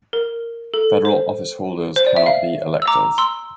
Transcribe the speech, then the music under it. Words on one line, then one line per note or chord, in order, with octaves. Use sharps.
Federal office holders cannot be electors.
A#4
A4
C5
C5
D5
E5
F5
E6
A#5 D6
C6 E6